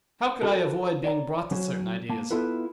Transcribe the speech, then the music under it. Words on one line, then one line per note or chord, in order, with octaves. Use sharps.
How could I avoid being brought to certain ideas?
C#4 F4 F#4 A4 A#4
C#5 D5 G5 A#5
F#3 C#4 F#4 C5 C#5
A#3 A5
B3 E4 F4 A4 B4